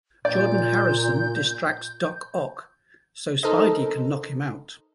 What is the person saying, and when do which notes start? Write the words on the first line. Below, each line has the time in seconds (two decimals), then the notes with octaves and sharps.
Jordan Harrison distracts Doc Ock so Spidey can knock him out.
0.25 A#2 D5 G6
3.43 D#4 A4 A#4 C5 D#5